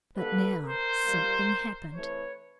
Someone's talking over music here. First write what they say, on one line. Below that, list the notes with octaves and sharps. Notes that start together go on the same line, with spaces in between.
But now something happened.
D3 G3 A#3 A4 B4
A#4 C5
A#2 G3 A#3
C3 E3 A3 B4 C#5